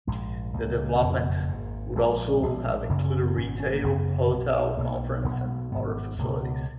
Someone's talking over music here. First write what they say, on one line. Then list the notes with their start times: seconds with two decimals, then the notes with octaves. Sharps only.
The development would also have included retail, hotel, conference and other facilities.
0.07 A#1 G#2 G#3
0.54 C#2 C#3 A#3
0.96 B3
1.01 F#1 F2 C#3 A#3
1.48 G#1 G#2
1.95 A#1 A#2 G#3
2.42 A#1 A#2
2.89 F#1 F#2 C#3 A#3
3.05 C#4
3.21 B3
3.36 G#1 G#2 C#4
3.60 C#4
3.73 A#3
3.84 F#1 F#2 C#3 B3
4.30 B1 B2 B3
4.77 B1 B2 A#3
5.24 B1 B2 B3
5.72 G#1 G#2 B3
6.19 C#2 B2 A#3
6.42 B3